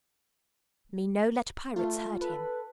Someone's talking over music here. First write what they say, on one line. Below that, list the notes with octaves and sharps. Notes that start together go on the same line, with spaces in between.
Me no let pirates hurt him.'
A3 F4
A4 B4